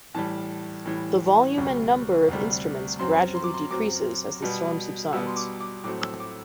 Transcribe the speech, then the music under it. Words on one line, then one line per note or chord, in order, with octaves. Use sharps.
The volume and number of instruments gradually decreases as the storm subsides.
A2 E3 G3 A5
A2 E3 G3
D2 C3 G3
D2 C3 G3
F#2 F#3 C4 C6
C6
D6
C6
F#2 F#3 C4 D6
B2 G3 B3
B2 G3 B3 E6
C6
D6
D6
A2 F#3 A3 C4 D6
E6
D6